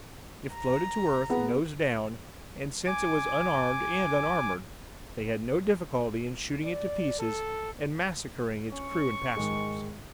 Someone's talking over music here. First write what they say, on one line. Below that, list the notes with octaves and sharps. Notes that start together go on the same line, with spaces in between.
It floated to earth, nose down, and since it was unarmed and unarmored, they had no difficulty in shooting it to pieces and massacring its crew and passengers.
A#5
B3 G#4 F#5
G#5 D6
D5
A4
C#4 C#6
G#2 D#3 G#3